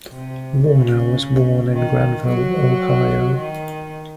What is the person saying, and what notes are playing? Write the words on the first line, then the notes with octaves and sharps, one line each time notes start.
Warner was born in Granville, Ohio.
C3
C#3
D#3
F#3
D#3